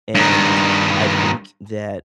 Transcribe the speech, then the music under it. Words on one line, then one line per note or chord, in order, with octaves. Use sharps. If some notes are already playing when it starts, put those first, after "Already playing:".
and I think that
G2 D#3